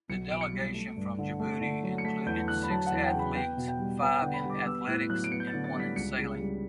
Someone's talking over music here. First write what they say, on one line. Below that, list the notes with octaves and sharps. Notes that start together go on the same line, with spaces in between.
The delegation from Djibouti included six athletes, five in athletics and one in sailing.
B1 C#7
B2 D7
C#7
G3
A3
G2
D3
A3
D3
F#3
C#7
A3 B6
E2 G6
D3 F#6
B5
F#3 A5
F#5
E2
G5
C#3
B5
B3 G5
B2
G5
G3
B3 F#5
D3 G5
B5
G3
D6
B3 E6
A2 F#6
F#3 F#6
D7
B3 C#7
G6
A6
D3
A6
G3
B6
C#2 C#7
C#3
G3